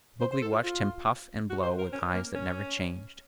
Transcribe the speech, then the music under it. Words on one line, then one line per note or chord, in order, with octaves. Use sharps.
Mowgli watched him puff and blow with eyes that never changed.
C5
C5
A4
F4
F4
F#4
C5
A#4
C#4
A#3
C#4